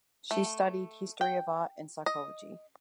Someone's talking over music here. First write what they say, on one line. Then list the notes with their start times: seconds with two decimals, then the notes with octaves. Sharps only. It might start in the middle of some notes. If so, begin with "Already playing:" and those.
She studied history of art and psychology.
0.31 A3
1.21 G5
2.06 D#5